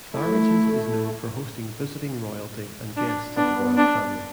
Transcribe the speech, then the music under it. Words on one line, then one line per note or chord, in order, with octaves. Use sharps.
Claridge's is known for hosting visiting royalty and guests of the Royal Family.
A3 E4
D4
B3 D4
D4